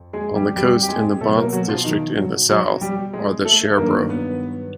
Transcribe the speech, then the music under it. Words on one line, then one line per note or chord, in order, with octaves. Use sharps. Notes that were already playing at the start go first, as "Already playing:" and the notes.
On the coast in Bonthe District in the south are the Sherbro.
Already playing: F2
G#3 G#4
G3 G4
G3 G4
G4
G#3 G#4
B2 F#3 A3 A4
A#3 A#4
F#3 F#4
F3 F4
D#3 D#4
F#3 F#4
F#3 F#4
G3 G4
G#3 G#4
A3 A4
A4
G2 D#3 F#3 A#3 A#4
B3 B4